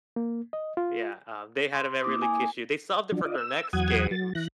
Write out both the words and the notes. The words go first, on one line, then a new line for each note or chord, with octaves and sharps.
Yeah, um, they had a memory leak issue. They solved it for their next game,
A#3
D#5
F4
C6
A#3 E4 D6 D#6
G#5
F3 F#3 D4
F4 D5 D#5
E6
E2 F#3 F#5 D#6 G#6
F#3 A6
E3 F#6 A#6